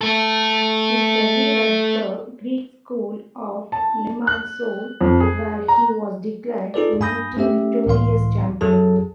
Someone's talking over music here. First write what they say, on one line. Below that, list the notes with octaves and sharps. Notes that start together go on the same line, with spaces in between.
He studied at the Greek School of Limassol where he was declared Multi-victorious Champion.
A3 A4
A5
F#6
F2
G#4
A#5
D#4 F4 G#4 A4 B4 D5
G2 G#5 B5 D#6 G6 A#6
A3 C#4 G4 E5
C#2 A2 E3 F5 C6
F#2 F#3 G#4 A4 A5